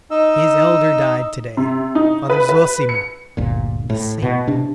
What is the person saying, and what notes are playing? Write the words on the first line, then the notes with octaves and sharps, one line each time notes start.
"His elder died to-day, Father Zossima, the saint."
D#4 D#5 E6
C3
D#4
B4
B4
C#7
G1 D2 A#2
A2
B2
C3 D4